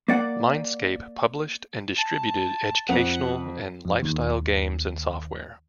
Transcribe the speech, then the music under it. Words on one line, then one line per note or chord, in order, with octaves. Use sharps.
Mindscape published and distributed educational and lifestyle games and software.
A#3 D5 F#5
A5
F2 F#5 F7
F2
D#2